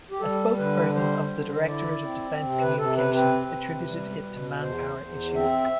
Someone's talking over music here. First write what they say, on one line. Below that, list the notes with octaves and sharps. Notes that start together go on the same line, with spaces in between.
A spokesperson of the Directorate of Defense Communications attributed it to manpower issues.
G4
G3 A4
D3 B4
G3 C5
D3
E4 D5
C4
C3
B4
C3 A4
B4
C4 B4
C3
G3
B2
E2 C5
E2
C4 E5